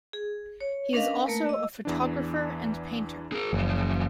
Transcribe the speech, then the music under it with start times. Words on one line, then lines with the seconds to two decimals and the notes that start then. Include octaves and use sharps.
He is also a photographer and painter.
0.13 G#4
0.61 C#5
0.93 C#4 D4 A#4 B4 D#5 F5
1.26 A3 A#3 A#4 B4
1.49 D#5 E6
1.85 E2 E3 D4
3.32 G#4 A#4
3.53 F#1 E3 F3